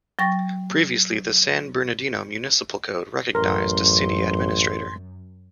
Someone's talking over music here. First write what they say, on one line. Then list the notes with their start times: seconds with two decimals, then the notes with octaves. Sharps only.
Previously, the San Bernardino Municipal Code recognized a City Administrator.
0.19 F#3 G5 C#6 A6 A#6
3.35 A1 F#2 A#4 C6